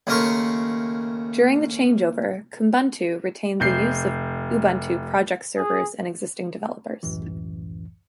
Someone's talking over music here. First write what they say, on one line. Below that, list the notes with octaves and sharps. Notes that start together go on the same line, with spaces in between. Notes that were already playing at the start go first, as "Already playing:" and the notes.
During the changeover, Kubuntu retained the use of Ubuntu project servers and existing developers.
D#2 C#3 A3 A#4 C6 C#6
F1 G6 C7
G#4
G#1 C#2 F#2 A2 E3